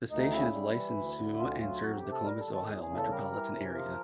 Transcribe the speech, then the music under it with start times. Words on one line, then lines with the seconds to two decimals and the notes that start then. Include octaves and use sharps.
The station is licensed to and serves the Columbus, Ohio metropolitan area.
0.10 D2 D#4
0.32 C#3 E4
0.53 G3
0.75 E3
0.97 D2
1.18 D3
1.39 D2 F4
1.61 F#3 F4
1.82 F2 F#4
1.96 G4
2.03 C3
2.12 A4
2.25 G3 A#4
2.40 A4
2.47 D#3
2.54 A4
2.68 E2 G#4
2.82 G#4
2.90 C#3
2.97 A4
3.11 G3 A#4
3.33 E3
3.54 C3
3.75 F3